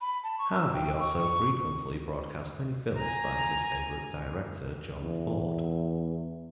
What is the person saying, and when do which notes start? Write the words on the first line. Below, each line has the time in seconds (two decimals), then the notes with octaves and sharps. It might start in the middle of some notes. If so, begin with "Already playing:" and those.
Harvey also frequently broadcast many films by his favorite director John Ford.
0.01 B5
0.23 A5
0.38 C#6
0.54 E6
0.74 G5
1.00 C#6
1.16 C#6
2.98 G#5 A#5
5.03 E2